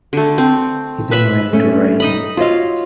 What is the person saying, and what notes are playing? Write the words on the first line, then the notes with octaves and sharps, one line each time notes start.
He then went into writing.
D3 A3
C4
B4 E5 B5
A3 C#4
D#4 D#5 B5
F4 F#4 C#5 D#5 F5